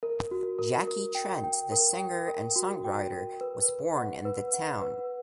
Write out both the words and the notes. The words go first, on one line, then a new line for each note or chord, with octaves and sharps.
Jackie Trent, the singer and songwriter, was born in the town.
A#4
F#4
A#4
A#4
G5
G5
A#4
G5
A#4
F#4
G5
A#4
B4
B4
F#5
B4
F#5
B4